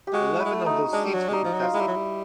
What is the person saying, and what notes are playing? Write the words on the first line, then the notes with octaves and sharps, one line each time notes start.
Eleven of those seats were contested.
G4
G#3 F#4
E4
G#3
A3
D#4
G#3 D4
G3
F#3
G#3
G3 D#4
F3
F#3
F4
G#3 E4
G3
F#3
G3